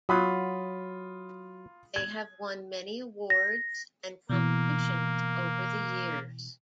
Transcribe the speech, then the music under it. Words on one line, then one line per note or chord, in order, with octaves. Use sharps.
They have won many awards and competitions over the years.
F#3 F4 B5 D#6
G#6
A#6
B2 E3 A#3